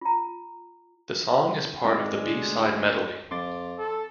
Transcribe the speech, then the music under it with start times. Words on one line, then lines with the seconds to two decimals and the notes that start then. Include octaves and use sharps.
The song is part of the B-side medley.
0.01 F4 A#5
1.84 G#1 G#3 D5 D#5 D6
2.28 D2
3.31 F2 C6 D6 A6
3.78 A4